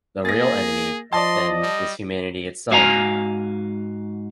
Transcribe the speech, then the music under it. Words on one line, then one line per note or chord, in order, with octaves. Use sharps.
The real enemy then is humanity itself.
A#3 G#4 A6 A#6
F3 D5 D#5 A5 C6
G3
G#2 F#4 F5 G#5 A#5